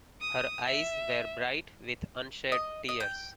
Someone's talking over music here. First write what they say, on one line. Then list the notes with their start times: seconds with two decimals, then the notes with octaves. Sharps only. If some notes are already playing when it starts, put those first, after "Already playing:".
Her eyes were bright with unshed tears.
0.21 D#6
0.66 E5
2.52 D#5
2.89 D#5
3.00 G5